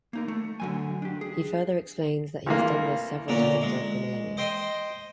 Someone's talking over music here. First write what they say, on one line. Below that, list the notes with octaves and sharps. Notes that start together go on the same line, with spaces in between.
He further explains that he has done this several times over the millennia.
A#3 D#4 A#4
A3
D3 F#3 G#5
D4 G4
G#4
C2 E3 A#3
A#2 D3 A#3 C#4
G#3
C5 D#5 G5 C6